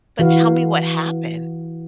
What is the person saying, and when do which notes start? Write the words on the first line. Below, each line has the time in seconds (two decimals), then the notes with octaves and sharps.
But tell me what happened.
0.19 E3 F#4 B4 F5